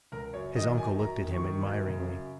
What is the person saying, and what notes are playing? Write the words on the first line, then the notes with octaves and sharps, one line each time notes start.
His uncle looked at him admiringly.
C#2 A#4
F#2 C#5
D#3 D#5
F#2 G#5
F#2 A#5
D#3
C#6
D#3
F#2
C#3
F#2